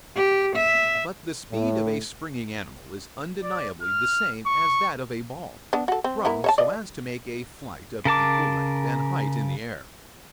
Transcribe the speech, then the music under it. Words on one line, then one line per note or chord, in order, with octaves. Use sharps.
But the speed of a springing animal is undeniably the same as that of a ball, thrown so as to make a flight of equal length and height in the air.
G4
E5
A2
D5
F6
C#6
B3 D4
F#4 A4
C4
B3 E4 A#4
C#5 E5 A5
F3 D5 D#5
C#3 A#4 A5 D6